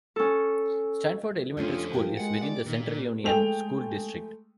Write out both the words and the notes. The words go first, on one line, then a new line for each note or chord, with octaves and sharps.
Stratford Elementary School is within the Central Union School District.
C#4 A4
F2 D3 A3 C#4 F4
F3 F4 G4 A#4
G#3 F#5
D5
A#2 D#3
D5
G#3 A3 G#4 G5 F7